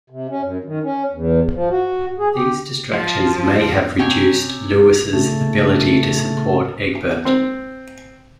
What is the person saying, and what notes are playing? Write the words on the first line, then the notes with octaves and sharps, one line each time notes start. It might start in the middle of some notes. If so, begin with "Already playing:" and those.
These distractions may have reduced Louis's ability to support Egbert.
C3
C#4
F#2
D#3
C#4
E2
F3
F#4
G#4
G4
F3
C3 C#5 G5 G#5
A2 C#3 A3
C4